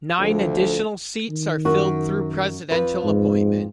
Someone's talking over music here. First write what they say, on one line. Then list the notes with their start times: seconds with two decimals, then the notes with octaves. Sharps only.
Nine additional seats are filled through presidential appointment.
0.20 D2 F3 A4
1.29 D#3
1.65 F#2 F#4 A#4
2.71 F2 B4
3.05 G#2